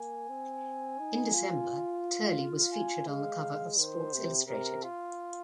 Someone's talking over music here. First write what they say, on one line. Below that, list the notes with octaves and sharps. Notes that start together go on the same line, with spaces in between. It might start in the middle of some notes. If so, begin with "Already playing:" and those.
In December, Turley was featured on the cover of "Sports Illustrated".
Already playing: A#3 G#5
C4
D#4
F4
F5
G#5
G#3 F5
D#3 C5
C3
C3 A#4
F4